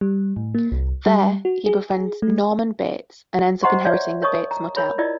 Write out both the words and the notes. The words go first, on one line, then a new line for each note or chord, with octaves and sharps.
There he befriends Norman Bates and ends up inheriting the Bates Motel.
G3
A2
A#3
C2
G3
F#4
G#4
A3
C5 D#5 F#5 A#5 C6 C#6
C#5 D5 E5
A#4 C#5 D#5 A5 C#6 D#6
A#5
A#4 C#5 B5
E4 F4 A#4 D5 D#5